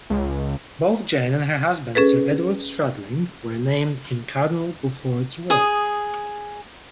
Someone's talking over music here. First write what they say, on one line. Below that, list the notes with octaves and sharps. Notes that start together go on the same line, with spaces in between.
Both Jane and her husband, Sir Edward Stradling, were named in Cardinal Beaufort's will.
C#2
C#4 G#4 A4 B4
G#4 D#6